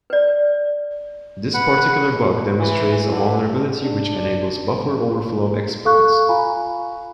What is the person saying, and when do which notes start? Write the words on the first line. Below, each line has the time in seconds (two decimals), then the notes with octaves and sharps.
This particular bug demonstrates a vulnerability which enables buffer overflow exploits.
0.10 B4 D5
1.54 B4 F#5
2.14 B2
2.59 E3
3.12 D3
3.82 D4
5.85 A4 F5 C#6 F#6
6.29 F4 F5 G#5 A#5 B5